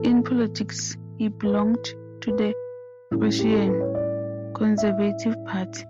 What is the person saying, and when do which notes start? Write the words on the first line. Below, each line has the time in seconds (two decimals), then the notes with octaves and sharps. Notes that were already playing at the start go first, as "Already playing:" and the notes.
In politics, he belonged to the Prussian Conservative party.
Already playing: A2 E3 B3 A4
1.45 B4
2.28 B4
3.11 A2 G3 C#4
3.39 G4
3.53 A4
3.67 B4
3.80 C#5
3.95 D5
4.78 E5